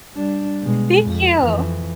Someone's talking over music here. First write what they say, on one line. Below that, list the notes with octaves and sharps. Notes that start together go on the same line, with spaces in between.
Thank you.
G3 D4
B2 G#3
F2
F2 E3